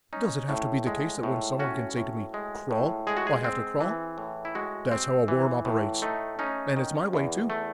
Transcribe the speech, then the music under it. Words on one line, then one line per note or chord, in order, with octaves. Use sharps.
Does it have to be the case that when someone can say to me "Crawl" I have to crawl? That's how a worm operates--and it's my way, too.
C#4 D#4
A2
G#3
A2
C#4 F#4
A2
G#3
A2
G#3 G#4
F#4
G#4
C4
E3
A2
E4
G#3 F#4
C4
E3
A2
A3 D#4
C#4 D#4
D#3
E2
A3